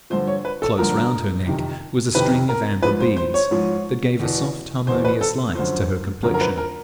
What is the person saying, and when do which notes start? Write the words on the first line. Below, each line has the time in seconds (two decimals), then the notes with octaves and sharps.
Close round her neck was a string of amber beads, that gave a soft harmonious light to her complexion.
0.10 G2 D3 F3 C5
0.28 C#5
0.45 B4
0.62 A4
0.78 G2 D3 F3 A#4
1.46 F2 C3 D#3
2.15 F2 C3 D#3 B4
2.49 A#4
2.82 G#2 F3 B4
3.00 C5
3.16 C5
3.34 C#5
3.51 G#2 F3
4.19 E2 B2
4.87 E2 B2 C5
5.05 B4
5.21 A4
5.55 F#2 D3 F3 C5
6.23 F#2 D3 F3 A#4
6.34 A#4
6.41 B4
6.58 A#4